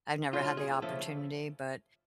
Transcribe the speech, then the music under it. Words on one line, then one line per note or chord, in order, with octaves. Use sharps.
I've never had the opportunity, but
D2 D3 F#3 F4
G#4
C#3 F3 A3 A4